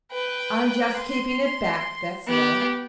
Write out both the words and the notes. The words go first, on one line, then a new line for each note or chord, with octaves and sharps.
"I'm just keeping it back, that's all."
B4 G5
C6
B3 G4